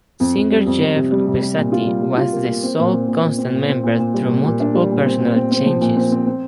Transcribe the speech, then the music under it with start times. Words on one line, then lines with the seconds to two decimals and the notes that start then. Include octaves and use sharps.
Singer Jeff Pezzati was the sole constant member through multiple personnel changes.
0.20 F2
0.35 F2
0.51 G3
0.66 F2
0.81 F2
0.96 C3
1.12 G3
1.26 C3
1.41 G3
1.57 A#2
1.72 F4
1.86 G3
2.02 G3
2.18 F4
2.33 A#3
2.48 A#3
2.63 C4
2.78 A#2
2.93 C4
3.08 A#2
3.23 A#2
3.38 C4
3.54 A#2
3.69 C4
3.83 A#2
3.99 A#2
4.14 G3
4.29 A#2
4.45 A#2
4.60 D4
4.74 G3
4.90 A#2
5.05 C4
5.20 A#2
5.36 C4
5.51 C4
5.66 F3
5.81 A#2
5.96 C4
6.12 C4
6.27 C4